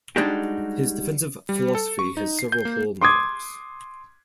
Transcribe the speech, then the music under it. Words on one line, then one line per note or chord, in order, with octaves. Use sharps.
His defensive philosophy has several hallmarks.
G3 G#3 D4 D#4 F#4 G4
G3
A4
C#6
D#4
C7
G6
A#3
C6 D6 D#6 G#6